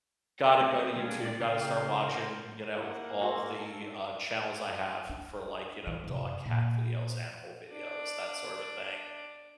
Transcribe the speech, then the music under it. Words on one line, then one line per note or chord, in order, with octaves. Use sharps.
gotta go to YouTube, gotta start watching, you know, all the, uh, channels I have for, like, you know, dog, cat videos, animal videos, that sort of a thing,
A3 C4 D#4
G3 G#3 A#3 C#4 D4
D5
C#3 A#4 F5 G5
A#4 C5
A#3 E4 F#5
F#4 A4 C6
D4
E3 G3
F#2 C3
A#2
D4 D5